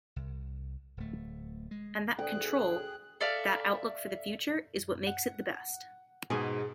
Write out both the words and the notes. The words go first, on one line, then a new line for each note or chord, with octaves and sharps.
And that control, that outlook for the future, is what makes it the best.
C2
D1 A3
G#3
D2 G#4 G5 F#6
A4 D5 E5 F5
F#5
G#2 B2 G#4